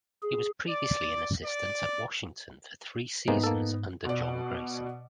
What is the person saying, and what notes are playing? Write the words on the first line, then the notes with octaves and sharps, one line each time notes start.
He was previously an assistant at Washington for three seasons under John Grayson.
G#4
D5
D5
G#2 C3 G#3 A#3 B3 D#4
A#3 A4
B2 D5